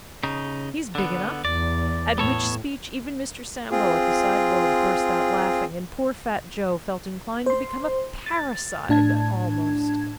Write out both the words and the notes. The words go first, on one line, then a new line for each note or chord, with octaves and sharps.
"He's big enough." At which speech even Mr. Sambo at the sideboard burst out laughing, and poor fat Joe felt inclined to become a parricide almost.
C#3 D#4
D3 B3
E2 D5
A2 B3 A4 C#5
C4 F4 G#4
C5 C6
A6
A2 D4 A5 G#6